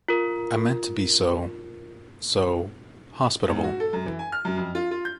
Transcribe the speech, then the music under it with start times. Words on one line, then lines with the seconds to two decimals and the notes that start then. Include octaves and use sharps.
I meant to be so — so — hospitable.
0.09 F4 A#4
3.49 G#2
3.64 F#4
3.80 A4
3.93 F#2
4.06 E3
4.19 G#5
4.32 F6
4.45 F#2
4.57 F2
4.75 F4
4.91 F4
5.05 G6